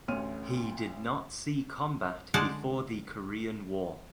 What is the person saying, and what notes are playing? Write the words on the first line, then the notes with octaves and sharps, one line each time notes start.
He did not see combat before the Korean War.
A1 D2 C#5 F6 D#7
D3 G#3 C5 D5 F#5 A5